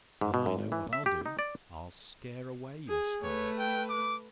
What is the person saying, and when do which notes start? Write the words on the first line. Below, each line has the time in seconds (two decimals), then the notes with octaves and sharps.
But I know what I'll do: I'll scare away your Skylarks.
0.21 G#2
0.34 B2
0.46 F#2
0.59 G#1
0.72 E3
0.93 E5
1.06 G4
1.26 D#4
1.39 D5
2.88 G#4
3.23 A3 B4 C#5
3.59 G5
3.90 D6